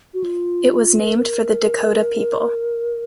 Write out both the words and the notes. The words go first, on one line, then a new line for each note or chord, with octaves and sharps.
It was named for the Dakota people.
F#4
F4
B4
A#4